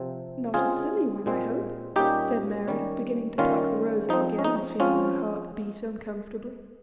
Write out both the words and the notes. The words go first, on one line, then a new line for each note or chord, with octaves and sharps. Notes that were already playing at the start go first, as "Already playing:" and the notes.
"Not a silly one, I hope," said Mary, beginning to pluck the roses again, and feeling her heart beat uncomfortably.
Already playing: C3 F3 C4
C#3 G#3 C4 F4 G#4
A#2 G#3 C4
A#2 G3 A#3 C#4 D#4 G4
D#3 G3 C#4
D#3 G3 A#3 C#4 F4
F3 C4 D#4
C#4
D#4
F3 C4 C#4 F4